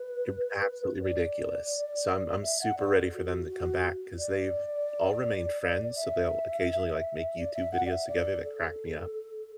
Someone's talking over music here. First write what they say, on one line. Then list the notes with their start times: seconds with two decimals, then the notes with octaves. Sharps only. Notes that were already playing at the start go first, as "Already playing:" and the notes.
ew absolutely ridiculous. So, I'm I'm super ready for them to come back, 'cause they've all remained friends, so they'll occasionally, like, make YouTube videos together that crack me up.
Already playing: B4
1.02 D5
2.42 E5
2.61 F#5
2.78 D5
2.96 A4
3.14 F#4
3.49 F#4
4.19 D5
5.96 E5
7.38 D5
7.54 E5
7.72 F#5
7.85 D5
7.90 E5
8.08 D5
8.43 A4